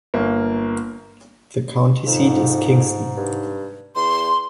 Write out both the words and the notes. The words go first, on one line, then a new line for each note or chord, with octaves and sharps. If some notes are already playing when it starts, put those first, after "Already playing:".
The county seat is Kingston.
G1 A#3
F2 G#2 C3 D#4
G2
E2 C6